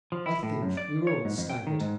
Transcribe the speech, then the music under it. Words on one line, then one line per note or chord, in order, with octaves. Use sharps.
I think we were all staggered.
F3
E4
A2
F#2
D5
C#5
G#2
F2
G5
D#3
G#2